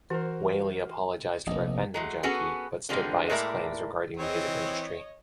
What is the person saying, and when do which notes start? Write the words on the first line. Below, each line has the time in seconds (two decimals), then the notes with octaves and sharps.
Whalley apologised for offending Jackie, but stood by his claims regarding the music industry.
0.10 E3 F#4 A#4 C5
1.47 F1 A#1 C3 D#5
1.94 F#3 G#3 A3
2.23 B3 C#4 F#4 G#4 A4 B4
2.89 D3 F3 G3 G#3 A#3 C4
3.29 A2 G#3 A#3 A#4 D5 E5
4.17 E3 C4 C#5 D#5